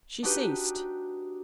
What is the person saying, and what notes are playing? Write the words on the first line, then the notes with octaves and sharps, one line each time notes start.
She ceased.
D4 D#4 F#4 G4 B4